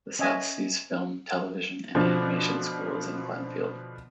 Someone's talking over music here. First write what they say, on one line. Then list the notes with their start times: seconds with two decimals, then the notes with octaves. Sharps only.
The South Seas Film, Television, and Animation school is in Glenfield.
0.19 C#4 D#5 E5 G#5
1.95 B2 D3 F3